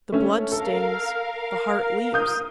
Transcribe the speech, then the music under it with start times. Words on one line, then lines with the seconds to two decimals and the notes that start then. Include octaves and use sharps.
The blood stings. The heart leaps.
0.12 A3 C#4
0.52 A4 A#4 F5
2.13 A#4 D#6 G6